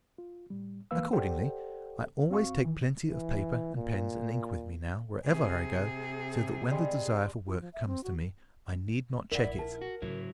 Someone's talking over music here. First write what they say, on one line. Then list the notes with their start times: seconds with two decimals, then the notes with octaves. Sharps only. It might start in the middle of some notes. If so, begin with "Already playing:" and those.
Accordingly, I always take plenty of paper and pens and ink with me now, wherever I go, so that when the desire for work comes to me I need not check it.
0.18 F4
0.50 A2 G3
0.91 D#2 E3 A#3 B4 F5 E6
1.13 G4 A4 C5 D5 F#5 G5
2.30 F#2 C4 F#4 F5 C#6
2.64 D#3 E3
3.06 E3
3.75 A#2
5.25 C3 G#4
6.71 G3 G#3
7.47 F4
7.61 F3
7.73 E5
7.87 C4
8.04 F#4
9.32 F2 E4 A#4 D5 F#5
9.46 A#1
9.59 A#4 A5
9.82 F#4
10.02 G#2 C#3 F#3 E4